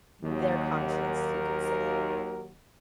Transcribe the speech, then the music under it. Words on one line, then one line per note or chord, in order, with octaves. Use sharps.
their conscience, you could say.
D#2 F#3
A#4